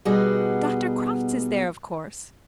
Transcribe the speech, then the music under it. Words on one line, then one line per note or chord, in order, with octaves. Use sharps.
Dr. Crofts is there, of course.
B2 G3 B3 D#4 F#4 G#4